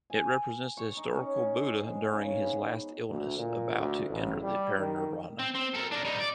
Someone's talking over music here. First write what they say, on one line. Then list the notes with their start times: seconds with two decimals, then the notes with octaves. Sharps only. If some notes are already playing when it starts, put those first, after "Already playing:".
It represents the historical Buddha during his last illness, about to enter the parinirvana.
0.10 G#5
0.77 C#6
0.97 D#4
1.15 C#4
1.62 C6
1.88 G#2
2.13 C#3
2.42 B3
3.09 D2
3.38 A#2
3.78 D2
4.09 A1
4.42 G3
4.78 D#3
5.39 C4
5.55 C4
5.75 A4 A#4
5.92 D4 A#4
6.05 G3 D#4
6.20 D5